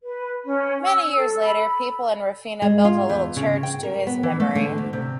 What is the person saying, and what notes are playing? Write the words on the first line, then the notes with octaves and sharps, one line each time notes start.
Many years later, people in Rafina built a little church to his memory.
B4
C#4
E6
A4
B5
G#3
F4
E2
C#3
G5
A#4
B3
E3
A3
D3
D2
C3